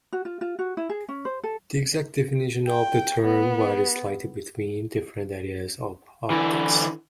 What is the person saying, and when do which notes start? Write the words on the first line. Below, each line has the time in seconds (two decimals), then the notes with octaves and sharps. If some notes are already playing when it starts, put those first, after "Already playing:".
The exact definition of the term varies slightly between different areas of optics.
0.13 F#4
0.25 F4
0.41 F4
0.59 F#4
0.77 E4
0.89 G#4
1.09 C#4
1.25 C5
1.44 A4
2.66 G5
3.21 B3
6.30 D3 E3